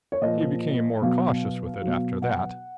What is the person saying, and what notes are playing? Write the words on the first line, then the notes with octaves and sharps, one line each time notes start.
He became more cautious with it after that.
C#5
A#2 F3 D#5
B2 F#3 F5
B2 F#3
F#5